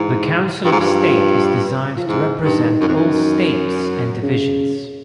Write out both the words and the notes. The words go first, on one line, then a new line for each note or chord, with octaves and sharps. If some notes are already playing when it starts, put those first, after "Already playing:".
The Council of State is designed to represent all states and divisions.
Already playing: G#2 E3
G2 F3
G#2
G2
F3
G#2 E3
G2 D#3
F#2
F2
F#2
C#3